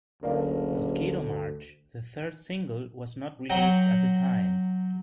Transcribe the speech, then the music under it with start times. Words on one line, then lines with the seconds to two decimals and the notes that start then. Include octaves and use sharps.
"Mosquito March," the third single, was not released at the time.
0.23 F#1 D2 A#4 D5 F5
3.50 F#3 F#5 G5 A#5